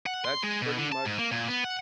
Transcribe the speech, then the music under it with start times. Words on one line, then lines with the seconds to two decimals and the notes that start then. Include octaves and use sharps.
That's pretty much
0.06 F#5
0.25 C6
0.43 G#3
0.62 B2
0.78 D3
0.92 A5
1.05 G#2
1.19 A#3
1.32 A#2
1.48 B3
1.64 F#5